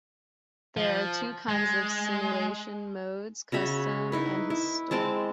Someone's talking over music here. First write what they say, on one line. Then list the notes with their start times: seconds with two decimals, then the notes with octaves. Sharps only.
There are two kinds of Simulation modes, Custom and Historic.
0.77 F3
1.49 G#3
3.52 C#3 F#4 E5 B5
4.12 D#4 E4 B4
4.50 E4
4.91 G#3 C4 A5 D6